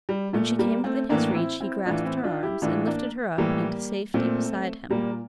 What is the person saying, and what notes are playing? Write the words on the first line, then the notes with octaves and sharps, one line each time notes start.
When she came within his reach he grasped her arms and lifted her up into safety beside him.
G3
A#2 A3
G3 A#3
A3 C4
A2 E3 A#3 D4
C4 E4
C4 E4
A2 E3 D4 F4
C4 E4
D4 F4
E4 G4
A2 E3 D4 F4
A#3 D4
A2 E3 G3 A#3
A#2 A3 C4
A#2 G3 A#3